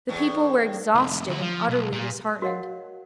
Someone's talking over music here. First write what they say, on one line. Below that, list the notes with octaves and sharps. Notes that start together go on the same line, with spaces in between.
The people were exhausted and utterly disheartened.
E2 A2
C2 F2
D2 F#4
F3
B1
A#2
F#4 A#4 C#5 D#5 F5 F#5